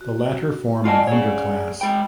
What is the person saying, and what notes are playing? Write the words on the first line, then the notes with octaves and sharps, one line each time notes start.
The latter form an underclass.
F#4
F4 D5 D#5 F#5 G#5 A5
G#4 C#5
G#3 G5 B5